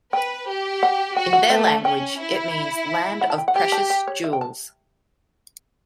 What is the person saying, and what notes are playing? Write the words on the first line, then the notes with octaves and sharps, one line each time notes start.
In their language it means "land of precious jewels".
B4 G5
G4
F#5
F#4 G5
F#5
A3 E5
A5
C#4 G5
E4
F#5
A5
G5
F#5
G4 G5
A5
G5
C#5
E5
G5
A5